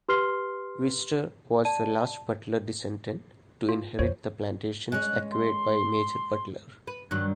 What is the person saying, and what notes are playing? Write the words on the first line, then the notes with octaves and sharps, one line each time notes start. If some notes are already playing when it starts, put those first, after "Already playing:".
Wister was the last Butler descendant to inherit the plantations acquired by Major Butler.
G4 B4 C6 F6 C7 G7
D5 A5 D#7
F4
F2 D3 C5 C#5
G#3 C#4 F#6
C6
B4
G2 D#3 F#3 F#6